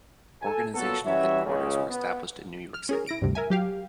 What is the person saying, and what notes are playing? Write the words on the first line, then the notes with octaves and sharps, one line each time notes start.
Organizational headquarters were established in New York City.
A4 G#5
A#2 F#3 B3 F#4 A4
E3 G3 C#4 F#4 C#5 E5
C#2 C#3
B3
F6
C#4 G#4 A#4
E4 A#6 D7
D2 G2 C3
A#4 E5 G#5
F#3 G4 F5